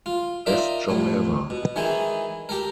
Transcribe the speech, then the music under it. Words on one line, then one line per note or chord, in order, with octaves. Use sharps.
Best job ever!
F4
D#4 F4 A#4 D5 E5
C2 F2 A2 A3
B2
D#3 E3 G#3 D#4 E4
G4 A4 A#4